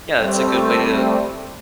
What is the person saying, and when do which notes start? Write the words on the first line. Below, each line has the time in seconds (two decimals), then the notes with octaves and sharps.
yeah, that's a good way to
0.19 G3 A3 C4